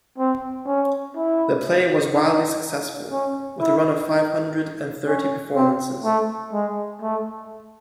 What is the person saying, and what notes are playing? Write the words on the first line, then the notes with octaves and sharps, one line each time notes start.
The play was wildly successful, with a run of five hundred and thirty performances.
C4
C#4
E4
D#4
C#4
E4
D#4
C#4
C4
A3
G#3
A3